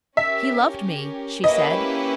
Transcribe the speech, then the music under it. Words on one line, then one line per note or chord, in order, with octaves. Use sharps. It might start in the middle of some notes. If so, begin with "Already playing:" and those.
"He loved me," she said.
C#4 G4 A#4 E5
A#3 C#4 E4 G4 B4 D#5